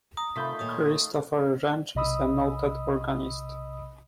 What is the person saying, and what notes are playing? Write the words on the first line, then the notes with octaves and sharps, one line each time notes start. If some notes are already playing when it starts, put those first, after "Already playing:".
Christopher Wrench is a noted organist.
A#5 D#6
C3 D#3 A3 F4 B5 G6 B6
D#2 A#2 C#5 D#6
B1 C3 D#5 B5 D#6 E6